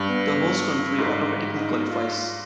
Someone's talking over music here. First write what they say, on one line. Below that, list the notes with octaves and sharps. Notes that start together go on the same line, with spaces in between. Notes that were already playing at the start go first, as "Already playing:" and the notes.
The host country automatically qualifies.
Already playing: G2
B3
G#2
D#4
F4